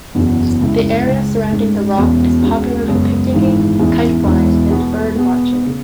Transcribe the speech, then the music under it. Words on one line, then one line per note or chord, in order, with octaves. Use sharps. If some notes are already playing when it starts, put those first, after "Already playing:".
The area surrounding the rock is popular for picnicking, kite-flying, and bird-watching.
F#1 E2 B2 F#3 C#4
C#2 C#3 G#3 C#4 E4
C#2 C#3 G#3
G#2 G#3 C#4
E1 E2 E3 C#4 F#4
C#2 C#3 G#3 C#4 F#4
F#2 C#3 G#3 B3 G#4
G#1 G#2 E3 G#3
E2 E3 C#4 E4 G#4
E1 E2 E3 G#3 E4
B2 B3 G#4
B2 B3 G#4
C#3